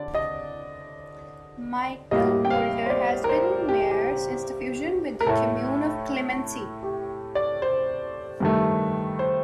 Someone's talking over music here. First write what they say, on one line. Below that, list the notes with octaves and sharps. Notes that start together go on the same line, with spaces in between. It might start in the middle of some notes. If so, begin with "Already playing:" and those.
Michel Wolter has been mayor since the fusion with the commune of Clemency.
Already playing: D3 D5
D#5
A2 G3 A#3 D#5
G5
F5
C5
D5
A#4
C5
G4
G4
A#4
A2 A3 A4
G4
D5
C5
G2 D#3 A3
C5